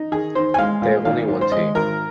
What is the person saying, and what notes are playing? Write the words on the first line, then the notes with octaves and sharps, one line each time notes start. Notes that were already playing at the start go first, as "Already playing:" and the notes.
They have only one team.
Already playing: D#4
D#3 G#4
D#3 C5
G#5
G#3 F5
A#2
G#1 F5
G#2
C5
G#3 D#5
G#1 A#4